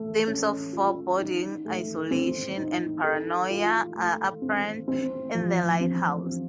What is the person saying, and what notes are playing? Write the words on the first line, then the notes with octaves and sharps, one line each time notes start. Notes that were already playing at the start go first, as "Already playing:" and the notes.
Themes of foreboding, isolation and paranoia are apparent in "The Light-House".
Already playing: A3
C#4
F4
D#4
A3
C4
D#4
A4
F4
A3
C4
C4
F3
C4
C4